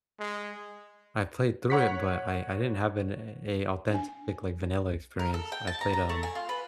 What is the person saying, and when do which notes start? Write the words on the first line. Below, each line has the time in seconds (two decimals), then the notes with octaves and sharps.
I played through it, but I I didn't have an a a authentic, like, vanilla experience, I played um,
0.19 G#3
1.70 C#5 F#5 B6
3.90 D4 G#5
5.19 A#4
5.34 A4
5.52 G5
5.67 A5
5.81 A#5
5.93 A#5
6.09 A3
6.23 G#5
6.35 F4
6.49 B4